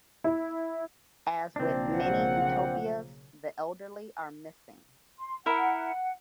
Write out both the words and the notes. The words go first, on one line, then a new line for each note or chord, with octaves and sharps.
As with many utopias, the elderly are missing.
E4
B1 C#3 F3 A#3 C4 D4
F#5
C6
E4 A#4 F#5